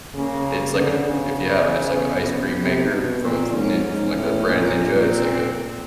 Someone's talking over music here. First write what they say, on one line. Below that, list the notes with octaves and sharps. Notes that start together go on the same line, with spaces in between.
it's, like a, if you haven't, it's, like, an ice cream maker from from Nin from, like, the brand Ninja. It's like a
C#3 A#3
D3 B3
C#3
C3
B2
A#2 C4
G#2 C#4
G#2
A2
A#2
C4